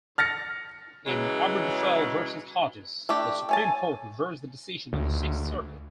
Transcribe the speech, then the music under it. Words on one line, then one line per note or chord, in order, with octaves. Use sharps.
In "Obergefell versus Hodges" the Supreme Court reversed the decision of the Sixth Circuit.
F6 A6 A#6 C#7
C#3 E3 F#3 G#3
A3 D4 G4
A3 C#5 G#5 A5
D2